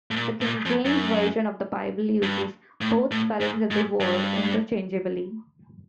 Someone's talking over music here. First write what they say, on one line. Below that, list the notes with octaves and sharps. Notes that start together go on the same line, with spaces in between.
The King James Version of the Bible uses both spellings of the word interchangeably.
A2
A#2
A2
A#2
F2
F#2
G2
A2
A2
G#2
G#2
G2